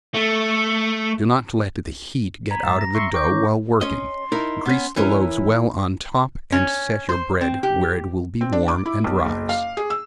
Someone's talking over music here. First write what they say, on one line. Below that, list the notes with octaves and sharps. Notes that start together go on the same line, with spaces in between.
Do not let the heat get out of the dough while working. Grease the loaves well on top and set your bread where it will be warm and rise.
A3
G#5 A#5 B5
G#2 E5 A5
A#6
E5 C6 C#6
G5 C#6 D6 G6
D#3 E3 C#4
C#4 D#5 C6
D#4 E4 A#4
B3 C#4
E3 C#4 E4 A#4
C#4
C5
C4
G4
C4
D4
D6
E4
B1
F#1
F5
G#4
E6